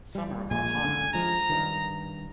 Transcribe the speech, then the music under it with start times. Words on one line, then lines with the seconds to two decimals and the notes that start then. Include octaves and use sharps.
Summer are hottest in month of May and June.
0.15 G3
0.51 A#1 A#2 G#3 G#5
0.82 F#1 C#2 D3
1.14 F3 G#3 A#5
1.50 G2 D#3